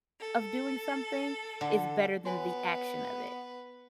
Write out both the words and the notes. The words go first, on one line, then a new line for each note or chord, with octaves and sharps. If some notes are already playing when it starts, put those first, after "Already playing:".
of doing something is better than the action of it.
A4
D3
B3 F#4 B4 C#5 G#5